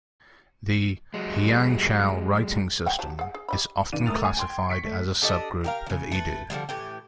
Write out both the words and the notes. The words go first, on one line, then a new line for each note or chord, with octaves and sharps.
The "hyangchal" writing system is often classified as a subgroup of Idu.
F#3 G#3
G#3 F#5 G5
F#3 G4 A5
G#4 F#5
G#4
G4 D#5 B5
C#2 D#3 D5 D#7
A3 A#4 D#6 E6 A6 F7
G#5
G5 C6 G#6
C#6 B6 C#7 D7
A3
D4 G4 A4 D#5
G4 A#4 F5
C#3 F3
A3 B4
D3 F3 G3 G#3
A2 E3 G4